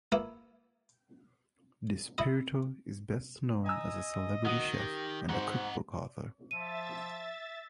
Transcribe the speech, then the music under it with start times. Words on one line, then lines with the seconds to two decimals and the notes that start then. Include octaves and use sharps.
DiSpirito is best known as a celebrity chef and a cookbook author.
0.12 A#3 B3 E4
2.18 E4 D#5
3.66 D#5 G#5 A#5 E6
4.45 D#3 F#4 D#6 D#7
4.79 G4 A#6
5.29 G#2 C4 F#4 C5 F#5
6.51 F3 E5 A6 D#7